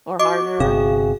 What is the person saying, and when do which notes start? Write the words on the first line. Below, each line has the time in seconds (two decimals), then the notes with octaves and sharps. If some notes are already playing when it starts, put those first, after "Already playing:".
Or harder?
0.19 F#4 D#5 D6
0.60 G1 C3 G#4 F5